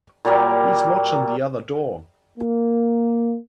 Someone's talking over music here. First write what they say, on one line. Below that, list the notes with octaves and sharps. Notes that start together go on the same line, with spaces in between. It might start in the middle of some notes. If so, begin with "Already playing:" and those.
He's watching the other door.
A#2 F#3 G3 A#3
A#3